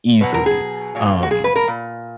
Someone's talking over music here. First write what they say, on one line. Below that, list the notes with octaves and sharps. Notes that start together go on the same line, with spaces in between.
easily, um,
B2 F#3 B4
A#4
G#4
A#2 F#3
F#4
G#4
B4
A#4
A#2